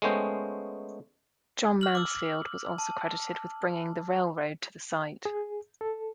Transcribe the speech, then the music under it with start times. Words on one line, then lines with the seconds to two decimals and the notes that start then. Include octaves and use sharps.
John Mansfield was also credited with bringing the railroad to the site.
0.02 G#3 A3 B3 C#4 C5 G5
1.81 F6 F#7
1.95 D6 E6
2.78 A5
5.25 G#4
5.81 A4